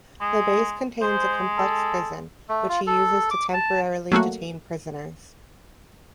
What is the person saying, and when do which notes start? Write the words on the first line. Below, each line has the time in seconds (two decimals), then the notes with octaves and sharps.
The base contains a complex prison, which he uses to temporarily detain prisoners.
0.21 G#3
1.02 G#3 C5
1.58 A4
2.49 A3
2.69 F4
2.87 A4
3.31 D6
3.54 A5
4.12 F#3 A3 A#3 F#4